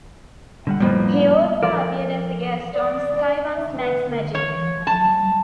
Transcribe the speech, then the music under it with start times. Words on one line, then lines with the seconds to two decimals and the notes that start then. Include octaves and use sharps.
He also appeared as a guest on Sky One's Max Magic.
0.67 D3 G3 F#5
0.80 F2 A2 G3 A#3 B3
1.63 F3 A4 A#4 D5
2.74 D5
3.55 E5
3.78 B4
4.10 A#4
4.35 C#5
4.87 A5